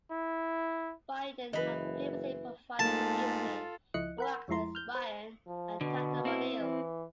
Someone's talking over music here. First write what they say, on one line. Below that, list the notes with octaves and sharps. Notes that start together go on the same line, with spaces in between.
Bindon had previously provided security for actors Ryan and Tatum O'Neal.
E4
F#1 E3 B4 D#5 B5
G#2 A3 A#3 F4 A4 A5
C#2 F3 E4 D#5 F#6 C#7
A#4 F#5 B5
F2 F3 G#3 E4 A#5 C6
F6 G6
C5
F3
B2 D3
C4 E4
E3